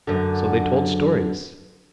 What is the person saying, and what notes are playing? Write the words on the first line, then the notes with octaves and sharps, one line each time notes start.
So they told stories.
F#2 D3